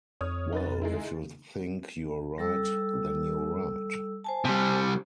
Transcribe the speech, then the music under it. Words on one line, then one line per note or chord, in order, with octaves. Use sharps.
Well, if you think you're right, then you're right.
F2 C#5 D#6 F6
D#4 B4 A6
G#3 D#4 E4
G3 A4 E6
C5 G#5 A5
C3 G3